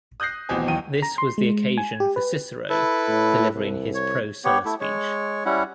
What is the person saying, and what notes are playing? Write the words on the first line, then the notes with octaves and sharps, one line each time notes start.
This was the occasion for Cicero delivering his Pro Sulla speech.
D#6 F#6 G6 A#6 C7
D#1 A1 B2 C4 G4 G#5
D#2 D#3 E3 F#3 G5 D#7
A#5
C6
G#3
G#5
G4
B4
E4 A4 B4
A2
C2
C#5
B3 G4 C#5
A3 E4
G#3 C#5
G3 C#4 E4 F#5